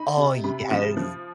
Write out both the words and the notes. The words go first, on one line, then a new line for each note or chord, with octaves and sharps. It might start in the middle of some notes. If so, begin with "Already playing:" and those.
Oh, yes.
Already playing: D#4 B5
C3
C3 B5
F3
F3